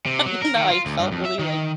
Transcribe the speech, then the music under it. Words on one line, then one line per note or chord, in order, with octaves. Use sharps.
I don't know, I felt really, like
C3
F#3
A#4
D#3
F4
D2
G2
F2
E5
D#3